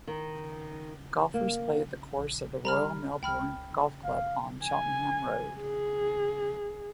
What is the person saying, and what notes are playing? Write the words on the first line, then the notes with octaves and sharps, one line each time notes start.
Golfers play at the course of the Royal Melbourne Golf Club on Cheltenham Road.
D#3
A#3
A#1
G3 A#5 B5 F6
C#2 G5 B5 F6
F#1 F5
G#5
G#4